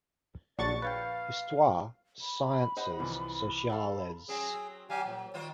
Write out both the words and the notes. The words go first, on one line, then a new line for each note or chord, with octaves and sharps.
Histoire, Sciences Sociales.
A#1 D3 F#3 D4 D5 C#6 A6
B4 C#5 F5 G5
B5
C5 D#5 F#5
C2 E3 F3
A4 F5
F#3 C4 G#4
F#3 G4 F5 G#5
A#2 F3
D#3 G3 F4 C5